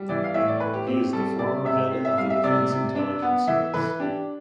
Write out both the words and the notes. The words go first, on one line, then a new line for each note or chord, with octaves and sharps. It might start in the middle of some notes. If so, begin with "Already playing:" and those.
He is the former head of the Defense Intelligence Service.
Already playing: G3
E3 D5
F5
A2 E5
D5
A2 B4
G4
C4 G4
G3 A4
C3 D5
C3 E5
C4
E5
G3 F5
E5
C3 D5
C3
D4
B3
E3 E5
E3 B4
D4 G4